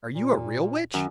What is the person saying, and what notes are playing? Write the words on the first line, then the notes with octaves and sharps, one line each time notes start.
"Are you a real witch?"
A#2
F#2 D#3